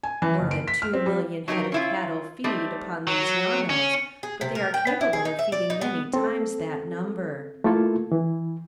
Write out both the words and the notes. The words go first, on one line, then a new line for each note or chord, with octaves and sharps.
More than two million head of cattle feed, upon these llanos, but they are capable of feeding many times that number.
G#5
E3
F#1
D7
B6
F6
C4
G3
F#3 D#4 G4 A#4
C#4 E4 F4
G3 A3 C4 D#4
F#3
C#4
G#4
C3
A#4
G5
B3
E4
G#4
D#4
E5
D5
D#4
B3
C4 A4
A3 A#3 E4 F4 A4
E3